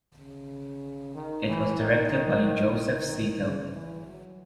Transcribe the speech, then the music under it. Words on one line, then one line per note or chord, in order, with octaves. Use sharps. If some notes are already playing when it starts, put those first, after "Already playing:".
It was directed by Joseph Zito.
C#3
D#3
E3
D#3
D#3
D#3
C#3
E3
F#3